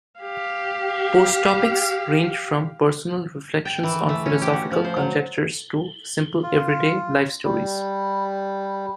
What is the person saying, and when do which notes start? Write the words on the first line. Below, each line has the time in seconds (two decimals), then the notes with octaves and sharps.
Post topics range from personal reflections on philosophical conjectures to simple everyday life stories.
0.20 G4 F5
3.65 G5
3.83 E3
4.09 A3
4.26 C#4
4.42 G4
4.53 F#4
4.71 F3
4.84 C5
4.96 F#3
6.43 F4
7.45 G3